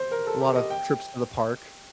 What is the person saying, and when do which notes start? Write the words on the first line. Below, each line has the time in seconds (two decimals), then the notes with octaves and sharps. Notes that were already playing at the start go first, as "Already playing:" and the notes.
A lot of trips to the park.
Already playing: C5
0.12 A#4
0.26 A4
0.41 G4
0.55 D#5
0.70 G5